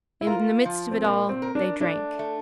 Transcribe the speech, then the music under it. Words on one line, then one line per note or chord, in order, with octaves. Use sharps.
In the midst of it all, they drank.
E4
F4 A#4
F3
C4
A#2 A#3
C4
A#4
D4
A3 D4
A3